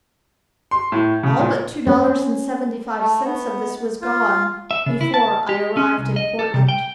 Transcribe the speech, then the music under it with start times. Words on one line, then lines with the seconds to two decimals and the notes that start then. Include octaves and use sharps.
All but two dollars and seventy-five cents of this was gone before I arrived in Portland.
0.71 C6
0.92 A2
1.23 C#3
1.39 A#2
1.87 C#4
3.00 A3
3.25 B3
4.01 F4
4.71 E5
4.86 C#3
5.01 E4
5.14 A5
5.49 G4
5.77 C#4
5.98 C2
6.16 D#5
6.39 A4
6.54 C3
6.69 G5